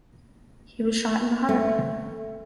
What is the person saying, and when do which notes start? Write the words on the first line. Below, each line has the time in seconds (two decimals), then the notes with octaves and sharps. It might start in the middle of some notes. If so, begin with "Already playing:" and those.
He was shot in the heart.
1.49 A3